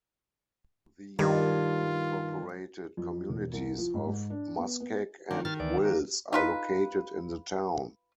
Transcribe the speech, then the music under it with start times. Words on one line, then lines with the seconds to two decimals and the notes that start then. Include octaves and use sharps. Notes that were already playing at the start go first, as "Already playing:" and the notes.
The unincorporated communities of Muskeg and Wills are located in the town.
1.19 G2 D#3 F4
2.97 F2
3.29 E1
3.53 C2
3.78 F3
3.94 G#2
4.07 G#2
4.30 D4
4.57 B3
4.80 B3
5.31 D#3 G3 A#3 D4
5.45 D#3 F6 A6
5.60 D2 E3 D5
5.85 A#3
6.33 D#4 F4 B4